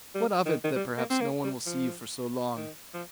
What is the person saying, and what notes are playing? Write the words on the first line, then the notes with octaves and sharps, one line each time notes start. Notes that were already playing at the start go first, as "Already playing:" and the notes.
What of it that perhaps no one will see you for so long?
G3
D#3
D#3
G3
A#3
C4
A#3
G3
F3
D#3
F3